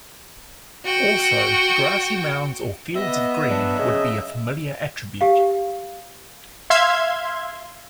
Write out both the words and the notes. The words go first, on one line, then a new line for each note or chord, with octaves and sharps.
Also, grassy mounds or fields of green would be a familiar attribute.
F#4 G5
B3 D#5 E5
F#3 D4
C#3 D#5
G4 F5
E5 F5 C6 G#6